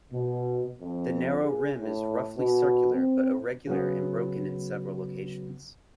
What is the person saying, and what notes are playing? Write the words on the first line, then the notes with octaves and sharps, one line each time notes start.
The narrow rim is roughly circular but irregular and broken in several locations.
B2
F2
G#4
A2
B2
C4
C#3 F#3 B3